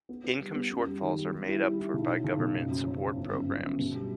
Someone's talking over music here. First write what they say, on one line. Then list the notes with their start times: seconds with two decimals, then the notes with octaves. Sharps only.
Income shortfalls are made up for by government support programs.
0.09 B3
0.24 B3
0.40 G3
0.55 B3
0.71 F#2
0.86 G3
1.01 D#3
1.18 G3
1.33 G3
1.48 E4
1.63 G3
1.79 E4
1.94 B1
2.09 F#3
2.24 B1
2.40 B1
2.56 F#1
2.71 F#2
2.87 F#3
3.02 F#2
3.17 G1
3.33 F#2
3.48 G1
3.64 F#2
3.79 B2
3.95 G3